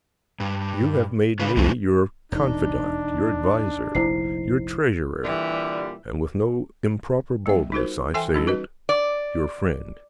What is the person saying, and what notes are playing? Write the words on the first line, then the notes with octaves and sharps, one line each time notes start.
You have made me your confidant, your adviser, your treasurer, and with no improper boldness I say it, your friend.
G2
C#3 F4 B4
C2 E3 A3 C4
E1 D#2 D4 D#4
F1 A#1 E4 C5 C7
A#2 D3 E3 G3
G3 B3 E5
D#4 F4 F#4 A#4 C5
E3 A4 E5 G5 G#5 C6
G3 C#4 D#4 A4
F#4 B4 D#5
D5